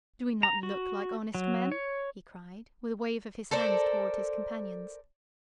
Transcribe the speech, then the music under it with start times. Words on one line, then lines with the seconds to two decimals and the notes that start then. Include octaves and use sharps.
"Do we not look like honest men?" he cried, with a wave of his hand toward his companions.
0.43 A#5
0.63 F#4
1.35 F#3
1.72 C#5
3.51 A4 A#4 C5 D5